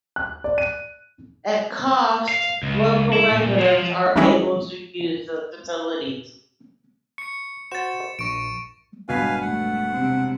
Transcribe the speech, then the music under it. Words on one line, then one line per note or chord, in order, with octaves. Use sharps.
At a cost, local residents are also able to use the facilities.
F#6
D5
D#7
F5
C#2
E4
A#2
F3
D#3 E3 G3 G#3 C#4 E4
C#6 C#7
F#4 C5 C#6 A6 E7
A#1 C#6 D7
E1 G2 B2 B4 F5 G#5 B6
A3 F#5
C3 C4